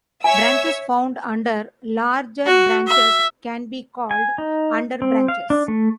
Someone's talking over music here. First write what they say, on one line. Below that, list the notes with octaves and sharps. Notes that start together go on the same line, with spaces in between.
Branches found under larger branches can be called underbranches.
C#5 E5 G#5 E6
F#4
E5
G#5
D#4
C4
F5
D4
A3